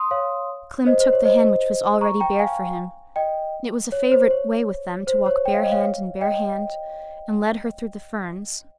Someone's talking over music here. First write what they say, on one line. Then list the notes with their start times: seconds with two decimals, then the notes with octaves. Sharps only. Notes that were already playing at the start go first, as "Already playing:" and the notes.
Clym took the hand which was already bared for him--it was a favourite way with them to walk bare hand in bare hand--and led her through the ferns.
Already playing: C6 D#6
0.11 C#5 F5
0.86 C5 D#5
1.00 C5
1.13 C#5
1.25 C5 D#5
2.01 A#5 C#6
2.20 G5 A#5
2.39 F5 G#5
3.16 D#5 G5
3.92 C#5
4.12 C5
4.30 C#5
5.07 C5
5.26 C#5
5.45 G5
5.54 F5
5.63 D#5
5.72 C#5 F5
6.21 D#5 G5